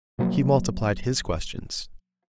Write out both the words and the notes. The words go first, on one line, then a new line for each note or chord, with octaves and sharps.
He multiplied his questions.
B2 F3 F#3 A#3